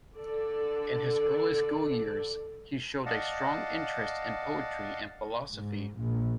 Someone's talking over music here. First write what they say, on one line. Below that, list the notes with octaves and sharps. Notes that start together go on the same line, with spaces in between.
In his early school years, he showed a strong interest in poetry and philosophy.
D3 A4 D5
D5 D#5 F5 F#5 A5
G#2
A#1